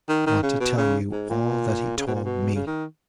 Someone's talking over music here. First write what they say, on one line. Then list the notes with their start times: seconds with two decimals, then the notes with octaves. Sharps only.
I want to tell you all that he told me.
0.09 D#3
0.26 D#3
0.43 C#3
0.60 B2
0.78 C#3
1.12 G#2
1.29 A#2
1.97 C#3
2.07 B2
2.15 A#2
2.25 B2
2.55 C#3
2.67 D#3